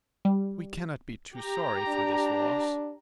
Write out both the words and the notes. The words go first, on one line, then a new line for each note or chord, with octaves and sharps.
We cannot be too sorry for this loss.
G3
G4 A#5
D4